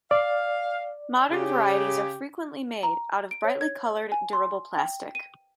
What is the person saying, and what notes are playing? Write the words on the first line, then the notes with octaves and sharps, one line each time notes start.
Modern varieties are frequently made out of brightly colored, durable plastic.
D5 F5
C#3 G4
A#5
D7
C#5
G#6
G#5
C6
G5
D#7